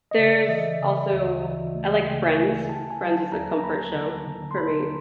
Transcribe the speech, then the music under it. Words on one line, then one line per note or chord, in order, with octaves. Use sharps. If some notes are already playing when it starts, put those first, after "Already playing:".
There's also I like Friends, Friends is a comfort show for me.
D#5
C#3 D5
E5
E3 D#5
C#3
D2
E3
A3
C#3 G5
A3 G#5
D3 A5
G#5
F#3
A5
D#2 A#5
A#5
A#3 B5
D3
D3
C6
D3 B5